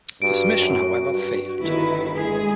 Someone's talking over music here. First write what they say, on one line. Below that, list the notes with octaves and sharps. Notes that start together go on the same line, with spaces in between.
This mission, however, failed.
G2 F#4 D7
F#2
G2
G1 D#3 E4 B4
G#3 G#4